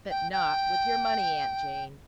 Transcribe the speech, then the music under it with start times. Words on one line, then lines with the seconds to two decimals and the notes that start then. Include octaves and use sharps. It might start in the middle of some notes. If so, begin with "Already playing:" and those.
But not with your money, Aunt Jane.
0.10 G5
0.32 G5